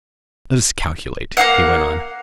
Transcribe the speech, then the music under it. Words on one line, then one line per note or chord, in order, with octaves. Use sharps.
"Let us calculate," he went on.
A#3 D#4 F5 F#5